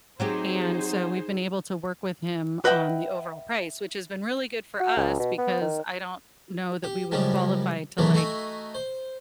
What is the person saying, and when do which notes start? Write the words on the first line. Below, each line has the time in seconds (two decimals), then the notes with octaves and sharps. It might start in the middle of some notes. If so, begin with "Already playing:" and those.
And so we've been able to work with him on the overall price, which has been really good for us because I don't know that we would qualify to, like,
0.20 F#3 C4 D#4 G4 G#4 C5
2.65 B4 D#5 E5 F#5 G5
4.80 F#4
4.97 C#2
5.19 B2
5.38 B3
5.61 D#3
6.84 G4
7.11 F#2 C#3 F3 G3 G#3
7.98 D#2 C#3 E3 F#3 A3 B3
8.13 A3 D#4 F#4 E5 G#5
8.75 C5